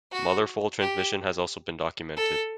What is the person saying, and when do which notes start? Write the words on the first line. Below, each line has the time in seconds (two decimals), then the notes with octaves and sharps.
Mother-foal transmission has also been documented.
0.12 F#4
0.80 G4
2.16 A4